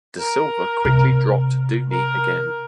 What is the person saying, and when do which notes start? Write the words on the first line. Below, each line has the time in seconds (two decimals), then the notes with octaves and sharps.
Da Silva quickly dropped Dooney again.
0.20 A#4
0.85 C3
1.91 A#4